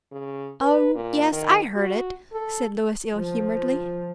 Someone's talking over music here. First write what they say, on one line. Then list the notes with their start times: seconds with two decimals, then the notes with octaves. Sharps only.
"Oh, yes, I heard it," said Louis ill-humoredly.
0.12 C#3
0.61 B4
0.95 A#2
1.32 D#3
1.75 F#4
2.33 A4
3.13 F3